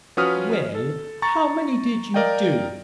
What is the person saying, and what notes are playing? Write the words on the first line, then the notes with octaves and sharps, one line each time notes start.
"Well, how many did you do?"
F3 C#4 F#4 B4 D#6 F6
A4
A#5 C#6 A6
A#4 D5 D#5 F5 G5